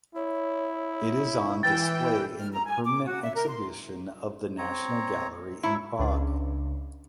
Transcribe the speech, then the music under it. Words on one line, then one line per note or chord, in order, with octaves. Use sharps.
It is on display in the permanent exhibition of the National Gallery in Prague.
E4 C#5
E3 G5 E6 A6
F6
A#5
G#5
D6
F#4
E5
A#4
C6
C4 C#5 A#5
F#3 E4 C#5 C#6
C#2 C#3 D4